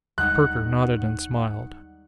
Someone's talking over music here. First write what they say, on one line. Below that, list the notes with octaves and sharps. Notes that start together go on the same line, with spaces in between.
Perker nodded and smiled.
D#2 G3 G#3 D#4 F#5 F#6 C#7